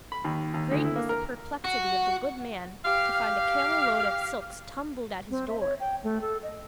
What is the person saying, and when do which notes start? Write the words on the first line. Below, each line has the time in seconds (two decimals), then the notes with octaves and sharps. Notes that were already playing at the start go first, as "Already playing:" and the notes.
Great was the perplexity of the good man to find a camel-load of silks tumbled at his door!
0.12 B5
0.25 D#2
0.54 D#2
0.71 D2
0.84 E4
0.96 A#3
1.09 A#4
1.64 F#4
2.85 G4 F5
5.30 C4
5.48 E5
5.60 C#5
5.80 G5
6.03 A3
6.21 A4
6.43 D#5